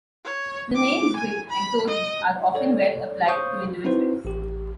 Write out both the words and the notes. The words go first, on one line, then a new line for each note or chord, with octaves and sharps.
The names whig and tory are often well applied to individuals.
C#5
D6
G#5
B5
D#5
A4 C#5 D5
C5 C#5 F5 C#6 D#6 G6
C4 D#4 E4 F#4 B4 C5
A1 G4